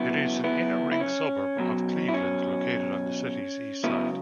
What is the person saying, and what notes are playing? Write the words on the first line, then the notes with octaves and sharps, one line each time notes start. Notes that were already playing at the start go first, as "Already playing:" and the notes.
It is an inner-ring suburb of Cleveland located on the city's east side.
Already playing: C#2 C#3 F#3 B3 E4
B3 E4
E4
C#4
B1 B2 F#3
E4
C#4
C#2 C#3 F#3 B3 E4